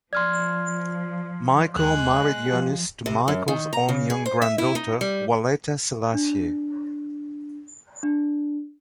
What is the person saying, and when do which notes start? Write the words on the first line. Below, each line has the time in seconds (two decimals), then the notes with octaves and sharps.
Mikael married Yohannes to Mikael's own young granddaughter, Waletta Selassie.
0.13 F3 D5 C6 F6 G#6
1.76 D#2 G#3 F#6
2.46 F3 G4
3.06 C3
3.28 F#2
3.48 D#3
3.73 A#5
3.89 C#3
4.10 G#4
4.26 C5
4.42 E5
4.58 E4
4.75 D#4
5.01 G3
6.14 D4
8.03 D4